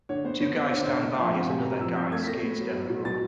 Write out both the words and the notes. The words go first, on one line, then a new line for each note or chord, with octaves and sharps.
Two guys stand by as another guy skates down the road.
D3 C#5
B3 C5
B3 C#5
B3 C5
D3 C#5
C5
D3 C#5
B3 D#5
F3 E5
F5
C4 F#5
C3 G#5
C3 A#5
F3 E6
C4 G6
A3 G#6
B6
A3 A#6
B3
F#3
F#3
B2
B2 A6